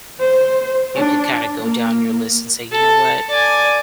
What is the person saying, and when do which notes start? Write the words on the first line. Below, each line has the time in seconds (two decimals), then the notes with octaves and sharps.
you could kinda go down your list and say, "You know what?"
0.20 C5
0.96 D4
1.61 A#3
2.72 A4
3.30 D5 G#5